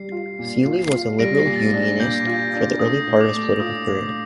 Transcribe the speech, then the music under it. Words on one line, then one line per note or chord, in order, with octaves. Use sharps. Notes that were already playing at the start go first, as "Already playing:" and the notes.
Seely was a Liberal Unionist for the early part of his political career.
Already playing: G3 C7
F4
A#2
F4
C7
F4
G3 A#6 D7
A#6
C7
A#2
A6
A#6
D4
A#6
A#2 G6
F4
D4
A3 D#6
A2
D6
A3
F4 D#6
A2